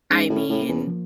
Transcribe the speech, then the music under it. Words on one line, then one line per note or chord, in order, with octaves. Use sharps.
I mean,
G#2 C#4
A2
C#4
A2
A#3
E2
F3